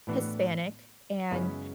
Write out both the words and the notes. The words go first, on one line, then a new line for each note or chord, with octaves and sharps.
Hispanic, and
A2 E3 B3 D4 F#4
F#2 C#3 G#3 B3 E4